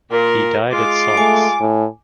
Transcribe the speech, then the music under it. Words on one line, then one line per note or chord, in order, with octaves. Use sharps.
He died at Saulx.
A#2 A#4
G#3 F4 D6
A3 G#5
A2